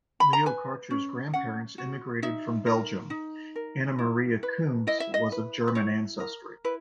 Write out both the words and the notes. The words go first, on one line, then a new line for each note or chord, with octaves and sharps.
Leo Karcher's grandparents immigrated from Belgium; Anna Maria Kuntz was of German ancestry.
B5
A#5
B4 G#5
C#4
C#4 F#5
F#4
D#4 E5
A#4
D#4
A#4
E4
B4
E4 D#5
E5
D#5
B4
B4
E4 C#5
A#4
E4 B4